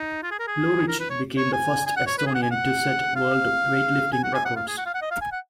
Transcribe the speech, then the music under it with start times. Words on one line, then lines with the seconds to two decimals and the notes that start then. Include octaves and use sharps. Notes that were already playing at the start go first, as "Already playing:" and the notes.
Lurich became the first Estonian to set world weightlifting records.
Already playing: D#4
0.23 F4
0.31 G#4
0.39 A#4
0.47 G#4
0.88 A#4
0.99 B4
1.10 C#5
1.37 C#5
1.53 G#5
1.86 G#5
1.96 F#5
2.07 C#5
2.18 B4
2.27 G#4
2.34 F#5
2.42 G#5
2.51 F#5
3.16 F5
4.12 G#5
4.23 F#5
4.34 G#5
4.45 F#5
4.56 F5
4.67 G#4
4.78 F#5
4.86 F5
4.94 F#5
5.02 D#5
5.11 F5
5.21 G#5
5.32 F#5